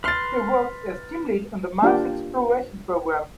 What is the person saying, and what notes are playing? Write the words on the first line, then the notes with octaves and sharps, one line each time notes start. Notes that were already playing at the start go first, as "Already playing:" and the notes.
He worked as team lead on the Mars Exploration Program.
B4 C6 F6 A6
A#3 D4 F4 G4 D5 G5